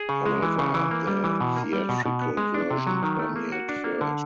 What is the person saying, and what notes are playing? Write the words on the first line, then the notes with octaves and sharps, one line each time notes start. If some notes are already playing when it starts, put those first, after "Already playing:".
However, the theatrical version premiered first.
Already playing: G#4
C#3
G#3
E3
C#3
E3
A#3
G3
E3
B2
A#3
G3
B2
B2
B3
G#3
D4
C3
F#3
D#3
A3
A#3
F#4
D4
A#3
D3